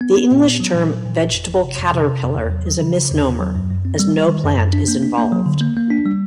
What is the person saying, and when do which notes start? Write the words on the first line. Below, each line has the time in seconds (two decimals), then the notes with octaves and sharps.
The English term "vegetable caterpillar" is a misnomer, as no plant is involved.
0.01 B3
0.16 B3
0.31 A#2
0.45 B3
0.60 F#3
0.74 A#2
0.90 F#3
1.05 A#2
1.19 G1
1.34 F2
1.49 G1
1.63 C3
1.79 F2
1.94 C3
2.08 C3
2.23 F2
2.37 E2
2.51 F#3
2.66 F#3
2.82 C#3
2.96 C#3
3.11 E2
3.26 E2
3.40 F#3
3.55 F#2
3.70 F#2
3.85 C4
3.99 G3
4.14 G3
4.29 D#3
4.44 F#2
4.58 F#2
4.73 D4
4.88 A#3
5.03 D4
5.18 A#3
5.32 F#3
5.46 D3
5.61 A#3
5.76 A#3
5.91 D4
6.05 G3